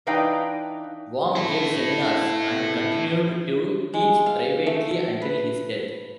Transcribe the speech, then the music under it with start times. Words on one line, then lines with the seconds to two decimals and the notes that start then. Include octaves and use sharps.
Wong gave seminars and continued to teach privately until his death.
0.07 E3 D4 D#4 B4 F5 G5
1.35 E4 A4
3.94 G#3
4.26 F5
4.66 A3
5.22 B4